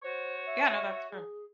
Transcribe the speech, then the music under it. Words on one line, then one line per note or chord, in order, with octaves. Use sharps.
Yeah. No, that's true.
F#4 C5 C#5
E5
G#4